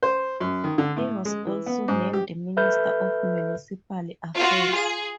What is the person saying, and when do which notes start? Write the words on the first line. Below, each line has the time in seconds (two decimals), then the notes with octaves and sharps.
He was also named Minister of Municipal Affairs.
0.03 C5
0.41 F#2
0.64 D#3
0.78 D3
0.96 A2
1.25 G#3
1.47 E3
1.66 B3
1.88 G#2
2.13 G4
2.57 A4 B4 E5 B5 F6 G6
4.37 F4 F#4
4.74 G#4